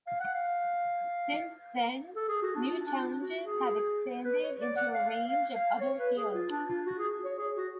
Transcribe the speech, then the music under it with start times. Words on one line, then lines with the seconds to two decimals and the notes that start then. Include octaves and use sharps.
Since then, new challenges have expanded into a range of other fields.
0.07 F5
0.20 F#5
0.34 F5
2.16 A4
2.28 G#4
2.42 F#4
2.55 D4
2.67 F4
2.86 D4
3.02 F4
3.19 F#4
3.45 G#4
4.24 B4
4.42 C#5
4.60 D5
4.77 F#5
4.94 F5
5.11 F5
5.28 F5
5.55 F5
5.81 C#5
5.98 B4
6.16 G#4
6.33 F4
6.50 D4
6.68 F4
6.86 F#4
6.98 G#4
7.25 C#5
7.38 G#4
7.55 F#4